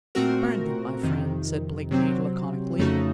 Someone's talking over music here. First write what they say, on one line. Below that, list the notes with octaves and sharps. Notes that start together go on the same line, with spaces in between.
"Burn them, my friend," said Blakeney laconically.
A#2 A3 C4 F#4 A#4
F2 C3 D#3
C3 F#3 C4
F2 C#3 A3 D#4 F#4